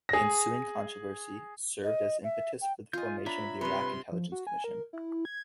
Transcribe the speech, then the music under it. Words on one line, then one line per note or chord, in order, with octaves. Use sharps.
The ensuing controversy served as impetus for the formation of the Iraq Intelligence Commission.
G#4 A#6
D#5
E5
G5
F4 D#5 G#5 G6
D4 C#5 E5 A#5 B5
C3 G3 B4 C6
F3
F#4
G#5
A#4
E4
G#6